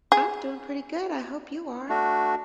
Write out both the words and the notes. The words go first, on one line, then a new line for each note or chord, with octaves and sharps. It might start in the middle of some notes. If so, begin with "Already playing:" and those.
I'm doing pretty good, I hope you are.
G#4
A3 D4 F#4